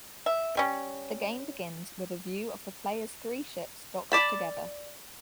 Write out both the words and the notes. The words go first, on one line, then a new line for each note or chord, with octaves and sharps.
The game begins with a view of the player's three ships docked together.
E5
G3 C#4
D5 A5 B5